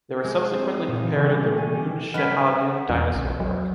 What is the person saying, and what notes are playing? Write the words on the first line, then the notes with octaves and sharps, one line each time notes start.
They were subsequently prepared in the Münchehagen Dinosaur Park.
G#3
F#6
C4
D#6
A#2
E3
C#3
G3
A3
G#5
G3
C#3 G3 C#4 D#4 B4 F#5 F6 B6
E2
B1
F#3